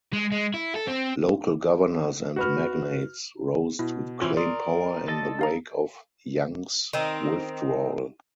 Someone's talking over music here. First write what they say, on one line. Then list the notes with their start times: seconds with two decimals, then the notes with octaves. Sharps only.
Local governors and magnates rose to claim power in the wake of Yang's withdrawal.
0.13 G#3
0.32 G#3
0.54 E4
0.75 A4
0.87 C4
2.36 F#4 B4 F6
3.79 B2 E4
4.22 E3 C4 C#4 F4
4.37 A#4 D5 C6 D#6
5.08 A4 D#5 A5
5.39 D4 F5 A#5
6.93 D#3 C4 D#4